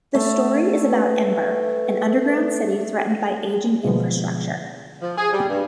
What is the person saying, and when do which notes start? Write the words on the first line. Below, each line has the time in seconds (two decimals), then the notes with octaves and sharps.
The story is about Ember, an underground city threatened by aging infrastructure.
0.15 A3
0.88 B4
3.85 B2 D3 F3 G#3 B3
5.02 F3
5.17 G#4
5.33 G3
5.49 G2